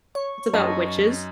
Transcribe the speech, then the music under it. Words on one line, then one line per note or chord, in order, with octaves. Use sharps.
it's about witches,
C#5 C#6
F#2 D#5 A5